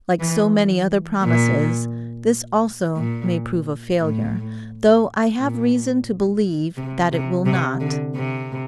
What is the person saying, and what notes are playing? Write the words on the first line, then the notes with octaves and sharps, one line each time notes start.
Like so many other promises, this also may prove a failure, though I have reason to believe that it will not.
E3
A#2
A#2
A2
A#2
C3
C3
C3
D3
C3